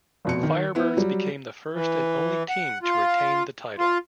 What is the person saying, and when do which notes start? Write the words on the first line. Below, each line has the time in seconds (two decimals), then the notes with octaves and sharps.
Firebirds became the first and only team to retain the title.
0.25 F1 B2 C#7
0.43 D#3
0.75 B3 E4
0.97 F#3 G3
1.73 E3
2.49 F#5
2.83 F4
3.79 F4